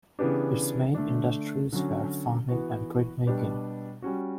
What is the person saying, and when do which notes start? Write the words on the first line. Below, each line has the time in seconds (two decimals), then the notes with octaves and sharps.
Its main industries were farming and brick-making.
0.19 C#3 E3 B3 D4 G4
0.94 D3 A3 D4
1.72 D3 F#3 C#4 F#4
2.49 E3 B3 F#4
3.26 B2 G3 D4 G4 B4
4.02 G3 C#4 F#4